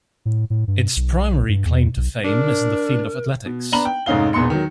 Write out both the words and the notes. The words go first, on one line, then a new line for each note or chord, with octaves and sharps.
Its primary claim to fame is in the field of athletics.
A2
A2
G2
B1
G2
E2
B1
D4 A#4
B2
B3 D4 A#5 B5 F#7
G5
F1 G#2 C#4 D#4 F5 G7
E1 A#1 E2 B3 C6 C#7
D#3 F#3